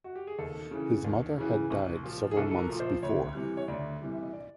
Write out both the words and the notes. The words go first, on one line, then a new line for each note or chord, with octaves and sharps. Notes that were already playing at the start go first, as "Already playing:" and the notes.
His mother had died several months before.
F#4
G4
G#4
D#2 A4
C#3 E3
D#2
C#3 E3
C2
A#2 F3
G#4
C2 A4
A4
A#4
A#2 F3
C5
D2 C#5
C3 E3 G3
C#5
D2 D5
C3 E3 G3
E5
D#5
D5